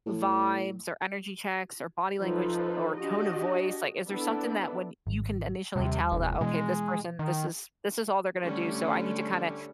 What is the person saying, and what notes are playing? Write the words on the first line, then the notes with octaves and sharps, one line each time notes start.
vibes or energy checks, or body language, or tone of voice? Like, is there something that when you can initially tell that, "Okay, this person, this is this is all they're gonna do, so, I need to kinda
A2
F3 D#4 A4 B4 C5
D4 F#4 G4 D#5
B3 D4 E4 A4 B4
G#1
D#2 C3 G3
F1
B2 E3 G#3
D#3
D3 G3 A3 C#4